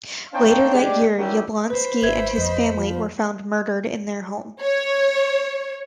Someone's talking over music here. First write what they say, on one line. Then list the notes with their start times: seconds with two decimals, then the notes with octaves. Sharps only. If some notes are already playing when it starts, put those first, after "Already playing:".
Later that year, Yablonski and his family were found murdered in their home.
0.33 C4 D4 D#4 C#5 F5 G5
0.74 G#3 D4 G4
1.18 D#3 F#3 G3 C#4 E4 G4
1.70 B4 C5 B5
2.03 G#1 B4 E5 G#6
2.38 F2 D#5
2.75 F3
4.60 C#5